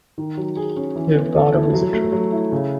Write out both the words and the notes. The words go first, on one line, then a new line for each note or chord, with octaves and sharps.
We've got a visitor!
D#3
F#3
G#4
C#4
E3
B3
A4
E4
F#3
A3
F#3
E4
C#3